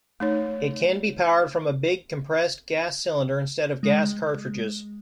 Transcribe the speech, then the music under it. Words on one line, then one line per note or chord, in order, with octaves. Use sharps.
It can be powered from a big compressed gas cylinder instead of gas cartridges.
A3 D#4 C#5
G#3